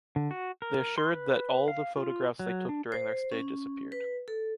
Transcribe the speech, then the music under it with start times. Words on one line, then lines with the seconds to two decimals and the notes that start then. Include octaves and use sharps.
They assured that all the photographs they took during their stay disappeared.
0.16 D3
0.31 F#4
0.62 A#4
0.98 C6
1.13 B4
1.68 F5
1.97 F4
2.39 F#3
2.69 D4
2.92 C5
3.32 C#4
3.92 B4
4.28 A4